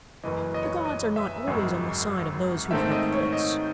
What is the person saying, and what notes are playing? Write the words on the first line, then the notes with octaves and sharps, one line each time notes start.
The gods are not always on the side of those who throw fits.
F#1 F#2 C#3 E3 D#5
D#5
C#5
C#5
D#5
E5
G#1 F#2 C#3 G#3
G#2 D#3 A3 C4 D#4 E5
D#5
C#5
D#5